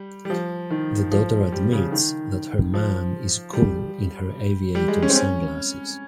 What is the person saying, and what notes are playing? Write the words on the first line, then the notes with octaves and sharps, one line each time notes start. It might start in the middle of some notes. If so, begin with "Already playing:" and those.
The daughter admits that her mom is cool in her aviator sunglasses.
Already playing: G3
G3
F3
D#3
F3
G3
C#3
D#3
F3
G3
G3
G#3
C#4
C4
C#4